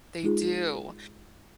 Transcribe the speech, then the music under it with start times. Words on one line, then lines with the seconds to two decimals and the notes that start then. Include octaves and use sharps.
They do.
0.23 G#3 D#4 F4 G#4